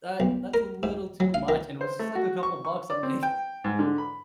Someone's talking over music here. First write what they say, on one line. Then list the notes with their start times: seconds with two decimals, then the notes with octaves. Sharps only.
"Uh, that's a little too much," and it was just like a couple bucks, I'm like,
0.20 B1
0.54 A#4
0.83 G#2
1.20 F#3
1.34 F5
1.48 D#3
1.81 C5
1.99 A3
2.15 F#4
2.43 C#6
2.65 C#6
2.90 D5
3.03 C4
3.23 G5
3.64 G#2
3.79 D3
3.98 B5